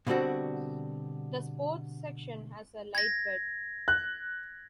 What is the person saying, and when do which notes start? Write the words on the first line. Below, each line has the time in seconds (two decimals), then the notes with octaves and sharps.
The sports section has a light bed.
0.07 B2 D3 G3 C4 F#4
2.95 G#6 A#6
3.88 F#6